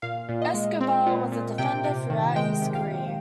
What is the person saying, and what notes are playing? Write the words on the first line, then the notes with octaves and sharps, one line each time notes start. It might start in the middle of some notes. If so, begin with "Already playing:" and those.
Escobar was a defender throughout his career.
A#2 F5
A#2
D#5
G#3
C4
A#2
A#2
C3 G5
C3
D#3
G#3 G5
C3
F5
C3